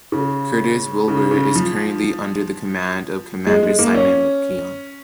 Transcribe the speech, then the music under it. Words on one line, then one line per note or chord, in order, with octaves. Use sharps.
"Curtis Wilbur" is currently under the command of Commander Simon McKeon.
C#3
C#3
C#3
F3
G#3
G#3
A#3
C#4